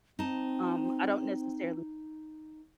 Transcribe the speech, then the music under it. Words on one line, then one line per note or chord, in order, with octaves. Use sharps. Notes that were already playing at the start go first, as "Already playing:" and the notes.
um, I don't necessarily
C4 D#4 A5